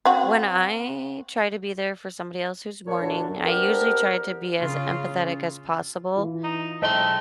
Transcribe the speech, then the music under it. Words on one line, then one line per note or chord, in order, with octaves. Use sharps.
When I try to be there for somebody else who's mourning, I usually try to be as empathetic as possible,
C4 F#4
A#2 C#5
D2 D3 D4
A3 B3 C4 D4 G4 A#4
C#3 F4
E3 F4
D#4
B1 G#3 A3 C5 D#5 G5 C6